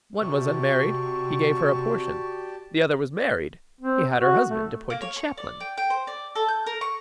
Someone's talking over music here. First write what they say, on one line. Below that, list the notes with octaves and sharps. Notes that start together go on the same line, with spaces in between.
One was unmarried--he gave her a portion; the other was married--he had her husband appointed chaplain.
C3 F#4 G4 D5 A5 C#6
C4
F#4
A3
A#3
C#5
C#6
D5
G5
G5
C5
D5
A4
G6
A#4
C#6